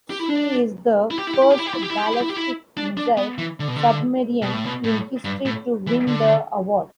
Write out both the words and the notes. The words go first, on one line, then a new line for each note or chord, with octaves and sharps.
She is the first ballistic missile submarine in history to win the award.
G4
E4
D4
E4
G4
E4
G4
E4
G4
E4
G4
E4
G4
E4
G4
E4
G4
E4
G4
E4
D4
D4
B3
E3
D3
B2
D3
B2
A2
B2
A2
G2
A2
E3
D3